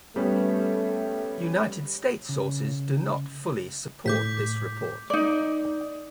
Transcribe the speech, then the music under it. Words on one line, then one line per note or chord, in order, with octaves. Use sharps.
United States sources do not fully support this report.
G3 A3 B3 C#4
C#3
A2 D6 G6 B6
D#4 D5